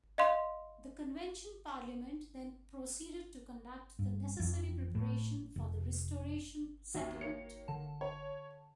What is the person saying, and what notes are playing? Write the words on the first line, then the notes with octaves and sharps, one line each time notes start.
The Convention Parliament then proceeded to conduct the necessary preparation for the Restoration Settlement.
D#5 F5 C6
G2
F2
A2
F1
D#2 F#4 E5
D#3 A#3 C#5 C#7
D3 A5
C#5